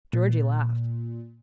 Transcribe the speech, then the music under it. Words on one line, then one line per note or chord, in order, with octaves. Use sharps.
Georgie laughed.
A#2